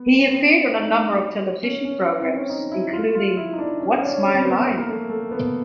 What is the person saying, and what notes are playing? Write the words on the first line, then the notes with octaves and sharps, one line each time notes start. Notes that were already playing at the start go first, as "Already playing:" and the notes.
He appeared on a number of television programs, including What's My Line?
Already playing: B3
B3
C4
D#4
D4
C#4
C#4
C4
C#4
D#4
E4
F4
F4
E4
D#4
D4
C#4
C#4
D4
C#4
C#4
C4
B3
B3
A#3
A#3
A3
A3
B3